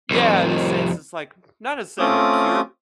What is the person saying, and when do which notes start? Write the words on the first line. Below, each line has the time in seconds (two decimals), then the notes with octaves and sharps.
Yeah, this is it's like not necessarily a cure
0.11 C2 F2
1.99 A3 C4 C#4 F4 D6 D#6